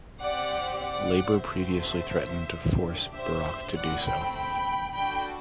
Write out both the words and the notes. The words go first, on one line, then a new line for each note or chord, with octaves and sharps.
Labor previously threatened to force Barak to do so.
C4 G4 D5 F#5
D5 F#5
C4 F#4 A4 C5 E5
D4 G4
C5 E5
A3 C4 E4 D5 F#5
G5 B5
G5 B5
D4 F#4 A4 G5 B5